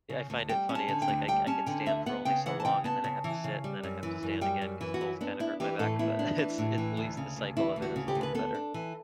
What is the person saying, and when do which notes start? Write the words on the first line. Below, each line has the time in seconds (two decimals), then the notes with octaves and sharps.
yeah, I find it funny, it's, like, I c I can stand for only so long, and then I have to sit, and then I have to stand again, 'cause both kinda hurt my back, but it's it's at least the cycle of it is a little better.
0.10 C#3
0.30 D2
0.49 G3 G5
0.69 C#4
0.75 A5
0.88 D3
1.02 G5
1.08 D2
1.28 G3 G5
1.47 C#4 A5
1.66 D3 G5
1.86 D2 E5
2.06 B3 F#5
2.25 C#3 G5
2.46 E3 F#5
2.60 A5
2.65 C#3 G5
2.84 B3 A5
3.04 C#3
3.24 E3
3.44 C#3
3.64 G3
3.83 F#2
4.03 E3
4.23 F#2
4.41 G3 G5
4.62 F#2
4.81 E3
4.94 F#4
5.01 F#2
5.21 B3 D4
5.40 D4 E4
5.60 E3 G4
5.79 A2 A4
5.99 B3 E4
6.19 D4
6.38 E3
6.58 A2
6.78 E3
6.97 D2
7.17 C#3
7.36 D2
7.57 E3 E4
7.76 D2
7.82 F#4
7.96 C#3
8.08 G4
8.15 D2
8.23 B4
8.35 B3 A4
8.54 D4
8.74 E3